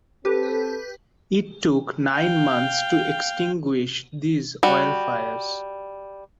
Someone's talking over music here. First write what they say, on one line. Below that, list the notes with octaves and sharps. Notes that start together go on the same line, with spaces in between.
It took nine months to extinguish these oil fires.
C4 G4 A4 B4
F5 G5
G3 F#4